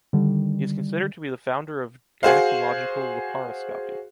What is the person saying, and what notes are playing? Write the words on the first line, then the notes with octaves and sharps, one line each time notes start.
He is considered to be the founder of gynecological laparoscopy.
D3 D#3 G3
F#4 G#4 C5 F5